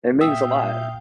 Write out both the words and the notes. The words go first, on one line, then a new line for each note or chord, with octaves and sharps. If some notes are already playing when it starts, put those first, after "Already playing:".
It means a lot.
A#2 E5 F5 G5 D#6 G6